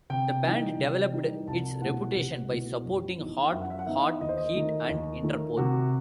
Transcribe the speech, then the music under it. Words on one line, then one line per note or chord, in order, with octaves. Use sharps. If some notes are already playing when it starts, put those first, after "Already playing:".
The band developed its reputation by supporting Hot Hot Heat and Interpol.
C3 G5
E3 G3 D#4
C3
E3 G3 D#4
C2 A5
B2 A3 E4 F#5
C2
B2 A3 E4
F#2
E3 B3 D#4
F#2 E5
F#5
E5
F#5
E3 B3 D#4 E5
D#2 D#5
C5
D#5
D#3 A3
D#2
D#3 A3
C3 F#4